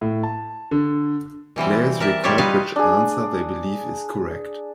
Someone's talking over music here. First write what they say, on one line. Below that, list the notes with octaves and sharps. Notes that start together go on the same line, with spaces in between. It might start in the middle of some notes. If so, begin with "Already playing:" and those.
Players record which answer they believe is correct.
A2
A5
D3
B2 E3 G3 C4
A#4 D5 E5 A5
G3 F4 G4 C#5 D5 E5
G3 D#4 F4 B4 F5
D4 G#4